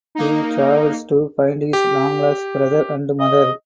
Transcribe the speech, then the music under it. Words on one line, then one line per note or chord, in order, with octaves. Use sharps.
He travels to find his long lost brother and mother.
A#3 D#4
G4
D#5